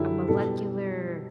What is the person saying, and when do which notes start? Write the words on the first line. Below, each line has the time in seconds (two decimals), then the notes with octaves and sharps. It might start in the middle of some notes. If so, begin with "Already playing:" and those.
a molecular
Already playing: F#2 D3 G3 E4
0.28 B2 G3 A4